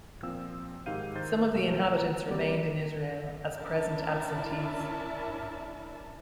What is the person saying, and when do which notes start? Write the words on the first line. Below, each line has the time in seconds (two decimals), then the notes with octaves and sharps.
Some of the inhabitants remained in Israel as present absentees.
0.23 A#2 F3 C4 F5 E6
0.86 G#2 D#3 G4 F5 G6 D#7
1.15 D#3 A#4 C5 G6 A6
1.54 B1 B2 A3
1.98 A#5
2.28 F#3 G3 A#3 C4 G4 D5
3.54 C#4 D4 E4 A#4 E5 A5